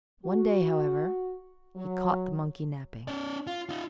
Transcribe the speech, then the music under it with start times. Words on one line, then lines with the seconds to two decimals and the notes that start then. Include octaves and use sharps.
One day, however, he caught the monkey napping.
0.24 F#4
1.76 F#3
3.08 C#4 D5
3.47 F4
3.69 D#4 F4